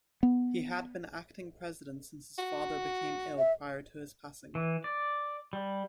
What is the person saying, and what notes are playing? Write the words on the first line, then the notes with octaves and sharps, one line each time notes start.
He had been acting president since his father became ill prior to his passing.
B3
F#4
E5
E3
D5
G3